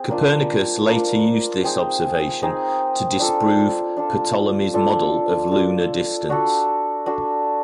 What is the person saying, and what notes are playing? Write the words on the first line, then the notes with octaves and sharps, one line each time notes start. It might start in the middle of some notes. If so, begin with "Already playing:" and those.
Copernicus later used this observation to disprove Ptolemy's model of lunar distance.
Already playing: C4 G#4
A#3 D4 F4
A#3 D4 F4
C4 D#4 G#4
C4 D#4 G#4
D4 F4 A4
D4 F4 A4
D4 F4 A4
D4 F4 A4
D4 F#4 A4
D4 F#4 A4